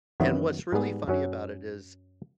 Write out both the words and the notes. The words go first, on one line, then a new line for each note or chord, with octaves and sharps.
and what's really funny about it is
F#2 D#3 E3 F#3 B3 E4
G#2 G3 B3 G#4
F#2 F#3 C#4